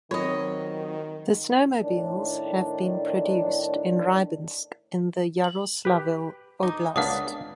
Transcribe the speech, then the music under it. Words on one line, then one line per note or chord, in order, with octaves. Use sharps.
The snowmobiles have been produced in Rybinsk in the Yaroslavl Oblast.
D#3 F#3 C4 F4 C#5 D#5
A2 D#3 D4
F#7
G4 B4
D#4 D6
C#2 A#3 B3 D4 F5 F#5 D#6